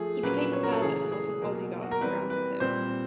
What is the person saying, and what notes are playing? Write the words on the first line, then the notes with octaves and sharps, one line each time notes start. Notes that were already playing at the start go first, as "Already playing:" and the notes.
He became aware that a sort of body-guard surrounded him.
Already playing: F3 A3 G#4
A#2 F#3 A#3 C#4 B4
C#5
A#4
A4
C#3 E3 A3 G#4
G#4
B2 F#3 A#3
F#4
A#4
E3 G3 C4 B4
B4
A#2 G3 C4 C5